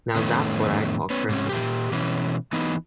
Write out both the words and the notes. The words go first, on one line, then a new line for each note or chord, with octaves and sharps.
Now That's What I Call Christmas!
F2 A2 D#3 A3 B3 C#4
B3 C#4
G#2 C3 C#4
A#2 G4
B2 E3 C#4
E3 B3 D#4